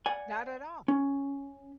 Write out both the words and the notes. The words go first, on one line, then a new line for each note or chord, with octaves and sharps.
Not at all.
D5 F#5 G#5
C#4